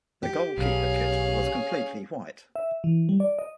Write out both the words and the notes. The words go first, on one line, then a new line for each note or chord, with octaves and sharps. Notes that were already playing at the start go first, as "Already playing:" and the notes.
The goalkeeper kit was completely white.
G4
B1 C#4 G#4 F5
E5
E3
G3
D5
D#5